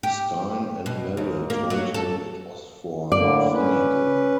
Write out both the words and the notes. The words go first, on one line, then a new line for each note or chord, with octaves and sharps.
Styne and Merrill told him it was for Funny Girl.
G4
B2
D#2
A#3
F#3
A4
A2 D3 A#3 D5
C#4 B4